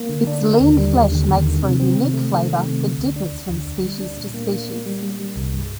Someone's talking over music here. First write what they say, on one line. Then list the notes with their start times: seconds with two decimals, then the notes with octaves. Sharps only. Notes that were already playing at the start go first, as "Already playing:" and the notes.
Its lean flesh makes for a unique flavor that differs from species to species.
Already playing: A#3
0.09 D3
0.27 D4
0.43 D3
0.60 D#2
0.78 G3
0.94 D#2
1.12 D3
1.29 D#2
1.45 D#3
1.62 C3
1.80 C4
1.96 C3
2.14 A3
2.31 D#3
2.48 A3
2.64 C3
2.81 D3
2.98 D2
3.16 D4
3.32 D2
3.49 D2
3.66 D2
3.83 G3
4.00 D4
4.17 A#2
4.34 A#3
4.52 A#3
4.69 A#3
4.86 G3
5.03 G3
5.19 G3
5.36 C2
5.54 G2